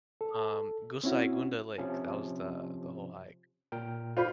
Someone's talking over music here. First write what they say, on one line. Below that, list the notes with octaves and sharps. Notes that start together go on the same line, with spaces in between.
um, Gosaikunda Lake, that was the, the whole hike,
A4
C4 C#4 E4 F#4
C3 F3 C#4
A#2 A#4 G5
F4 C5 B5